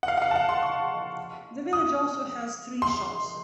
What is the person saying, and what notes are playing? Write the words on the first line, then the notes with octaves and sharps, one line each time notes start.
The village also has three shops.
F#5
F5
F#5
F5
A5
F#5
C6
C#6
D#6
C6